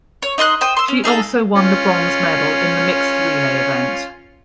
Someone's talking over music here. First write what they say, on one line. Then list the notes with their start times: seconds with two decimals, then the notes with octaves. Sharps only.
She also won the bronze medal in the mixed relay event.
0.23 C#5
0.38 D#4 D#5 C6 F#6
0.61 C5 G5 D#6
0.77 C6 E6
0.88 C#4
1.04 D#4 G#4 A4 F5
1.56 C#4 F4